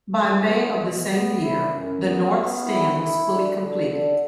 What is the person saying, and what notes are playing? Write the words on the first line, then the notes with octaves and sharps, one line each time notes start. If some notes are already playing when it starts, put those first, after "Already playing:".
By May of the same year the north stand was fully completed.
E3
B3
B2
B3
E4
F#2
B3
B3
E4
E4
D3
D3
D3